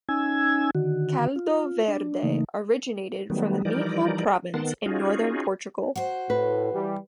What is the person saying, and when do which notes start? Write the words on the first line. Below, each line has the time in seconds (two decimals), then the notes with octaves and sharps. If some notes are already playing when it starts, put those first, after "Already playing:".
"Caldo verde" originated from the Minho Province in northern Portugal.
0.09 C#4 D#4 G#5 E6 G#6
0.75 D3 D#3 F#4
1.36 F4
1.88 D4
2.23 C#3 E3 A3 A#3 D#4
3.30 D#3 F#3 G3 A3 B3
3.65 E3 F3 G3 D#4 A#4 D5
4.54 D#3 B3 A#4 F#5 A5 C6
4.86 C#4 D#4 F4 F#4 G#4
5.96 F#4 C5
6.30 A2 B4
6.73 E3 G3